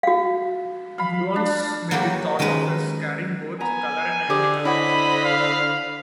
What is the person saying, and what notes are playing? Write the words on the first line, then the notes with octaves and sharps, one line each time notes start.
Gluons may be thought of as carrying both color and anticolor.
F#4 F5
F5 B5
D4
F#3 A#3 F#4 G4 B4
D#3 G#3 C#4 D#4 B4 D#5
B3 G#5 A#5
D3 G4 G#4 C5
E4 C5 C#5 D#5 F#5 B5
F5